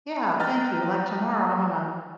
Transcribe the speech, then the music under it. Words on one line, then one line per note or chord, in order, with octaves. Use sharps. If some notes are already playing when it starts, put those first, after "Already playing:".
Yeah, thank you, like tomorrow, I'm gonna
B4 D#5 G5 A#5 F6 A6